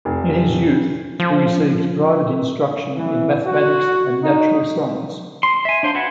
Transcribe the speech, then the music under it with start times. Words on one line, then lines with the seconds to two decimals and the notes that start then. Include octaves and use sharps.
In his youth he received private instruction in mathematics and natural science.
0.05 F1
1.20 F3
2.96 E3
3.45 F#4
4.24 D#4
5.43 C6
5.65 E5 G#5
5.83 D4 C5 F5 C6
5.95 F#4 B4 E5 F#5 G#5